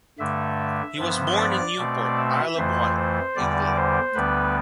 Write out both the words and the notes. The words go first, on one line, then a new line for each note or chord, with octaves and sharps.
He was born in Newport, Isle of Wight, England.
G2 D3 A3 E5
G2 F3 B3
D5
B2 A3 C4
E5
F2 E3 A3 C5
C5
E2 D3 G3 D5
C5
D2 D3 G3 B3 B4